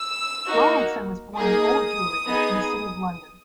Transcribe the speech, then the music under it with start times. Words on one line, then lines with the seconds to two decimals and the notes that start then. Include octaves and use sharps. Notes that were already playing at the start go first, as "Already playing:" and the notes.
Rowlandson was born in Old Jewry, in the City of London.
Already playing: E6
0.47 A#3 D#4 F#4
1.36 A#3 D#4 G#4 D#6
2.27 B3 D#4 G#4